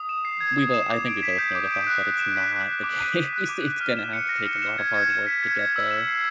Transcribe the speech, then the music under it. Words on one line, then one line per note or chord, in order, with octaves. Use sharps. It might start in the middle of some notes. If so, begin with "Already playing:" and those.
we both I think we both know the fact that it's not the case. It's gonna have to take a lot of hard work to get there
Already playing: D#6
E7
C7
G#6
D#6
E7
D6
D7
B6
G6
D6
D7
F#6
F#6
E7
B6
F#6
F#6
D6
D#7
B6
F#6
D6
D#7
F6
E7
C#7
A#6
F6
E7
G#6
G#6
E7
B6
G#6
G#6
E6
E7
C7